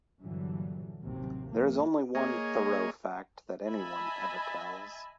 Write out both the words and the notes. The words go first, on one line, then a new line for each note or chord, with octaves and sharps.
There is only one Thoreau fact that anyone ever tells.
G2 A#2 D3 E3 F#3 G3
A1 D#2 C3 F#3 C4
F3 A#3
A#3 G#4 C#5 D#5
D#5 E5 G#5 A5 B5